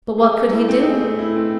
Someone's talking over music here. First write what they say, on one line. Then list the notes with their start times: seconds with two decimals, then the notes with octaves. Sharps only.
But what could he do?
0.18 G#4
0.36 A3
0.52 E4
0.69 C4
0.86 G#4
1.02 A3
1.19 E4
1.36 C4